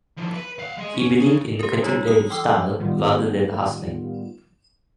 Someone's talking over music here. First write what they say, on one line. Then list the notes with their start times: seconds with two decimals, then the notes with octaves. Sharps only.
He believed in the contemplative style rather than the hustling.
0.17 F3 E4
0.34 B4
0.59 F5 F#5
0.77 G#3 D#5
0.94 C#4
1.20 C#4 G#4
1.59 G4 A#4
1.82 G3 G#3 D#4 F4
2.07 D#6
2.30 E3 G5 D6 E6
2.45 F3
2.79 A2 D#3 G3 B3 F4